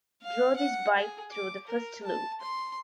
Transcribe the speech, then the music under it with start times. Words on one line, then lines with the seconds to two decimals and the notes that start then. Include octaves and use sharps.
Draw this bight through the first loop.
0.23 F5
0.57 F#5
0.98 G#4
1.33 D6
1.67 A#4
2.03 A5
2.41 C6